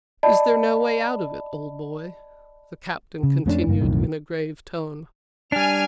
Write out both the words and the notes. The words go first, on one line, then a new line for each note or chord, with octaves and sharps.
"Is there no way out of it, old boy?" the Captain continued in a grave tone.
D5 D#5 A5 B5
C#3
F2 A3 C#4 D4
F#1 G2 A#3
B1 F2 A2 D#3
G3 D4 G#5 F6